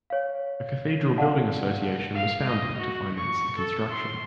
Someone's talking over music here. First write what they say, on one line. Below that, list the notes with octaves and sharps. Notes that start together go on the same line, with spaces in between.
A cathedral building association was founded to finance the construction.
C#5 F5
D5 F5 F#5 A5
F5
D#5
F#4
C#6
A4
C6